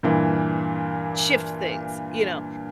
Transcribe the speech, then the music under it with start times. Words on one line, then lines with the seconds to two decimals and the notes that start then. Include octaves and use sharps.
shift things, you know,
0.03 G2 A#2 E3